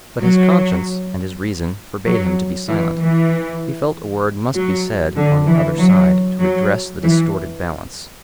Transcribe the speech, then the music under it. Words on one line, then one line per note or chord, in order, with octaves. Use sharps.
But his conscience and his reason forbade him to be silent; he felt a word must be said on the other side to redress the distorted balance.
F#3
F#3
E3
E3
F#3
D3
E3
F#3
F#3
E3